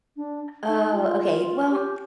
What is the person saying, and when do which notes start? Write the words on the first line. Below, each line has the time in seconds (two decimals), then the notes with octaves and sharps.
Oh, okay. Well,
0.16 D4
0.68 D#4
0.93 F4
1.70 G4